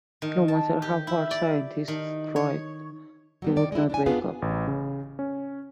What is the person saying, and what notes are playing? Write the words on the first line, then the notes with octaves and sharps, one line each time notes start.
No matter how hard scientists tried, he would not wake up.
D#3
A5
G4
E4
D5
D#3
C#5
F#3 G3 B3
D#3 D5
G#3 E4
D4 G#5
B3 D4 F4 G#4 B4 F5
A1
C#3
C#4